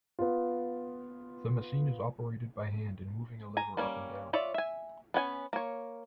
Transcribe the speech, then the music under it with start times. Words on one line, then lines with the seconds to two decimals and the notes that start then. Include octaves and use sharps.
The machine is operated by hand in moving a lever up and down.
0.19 B3 F4
3.57 G#5 A#5
3.77 G3 A#3 C#4
4.33 F4 C#5 D5 E5
4.54 E5 G#5
5.14 B3 C#4 F#5 G#5
5.53 A#3 C#5